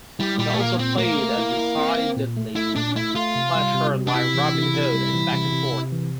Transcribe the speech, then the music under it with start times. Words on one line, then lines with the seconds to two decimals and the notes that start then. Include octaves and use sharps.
He also played a decidedly Flashheart-like Robin Hood in "Back and Forth".
0.19 G3 E4
0.39 A#2 G3
0.54 A3
0.59 A#2 A#3
0.79 A#2 C4
0.98 A3 A#3
1.18 A3
1.38 E4
1.57 E4
1.77 C4
1.97 C4
2.17 A#2
2.37 A3
2.56 A3 E4
2.76 A#2 D4
2.96 A3 E4
3.15 A3 F4
3.35 C3
3.55 G3
3.74 C3
3.94 C3
4.07 D4
4.14 C3 E4
4.35 E3
4.54 C3
4.73 C3
4.93 G3
5.14 E3
5.33 C3
5.52 C3
5.73 C3
5.92 E3